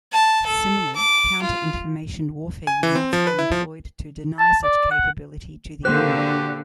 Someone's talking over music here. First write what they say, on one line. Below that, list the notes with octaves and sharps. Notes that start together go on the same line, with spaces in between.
Similarly, counter-information warfare units are employed to deny such capability to the enemy.
A5
A4
D6
F4
G#5
E3
C4
F3
B4
E4
F3
A5
D5
F#5
D3 A#3 F#4 G4 C5 F#6